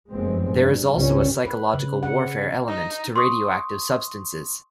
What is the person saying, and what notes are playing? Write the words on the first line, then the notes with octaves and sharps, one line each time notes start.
There is also a psychological warfare element to radioactive substances.
F1 F#2 G#3 B3 C4
G2
C#2 G#2 C3 G3 C#4
B4
C#3
F#5
D#4
C6 C#6 D#6